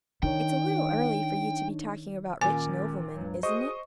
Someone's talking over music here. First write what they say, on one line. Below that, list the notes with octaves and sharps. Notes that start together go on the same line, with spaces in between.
"It's a little early for you to be talking about rich noblemen, isn't it?"
D#3 D4 D#4 C#5 G5
A#2 D#3 C#4 G#5 D6 A6
C#2 G2 F#3
F#4 G#4 C5 D#5 C#6 D#6